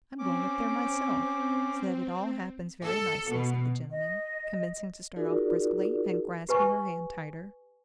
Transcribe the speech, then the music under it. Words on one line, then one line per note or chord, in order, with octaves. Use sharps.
"I'm going up there myself, so that it all happens very nicely," said the gentleman, commencing to start off briskly, and grasping her hand tighter.
C4 C#4 D6
A4
B2
D#5
D#4 F4 F#4 G#4 A#4 D5
G4 B4 G#5 C#6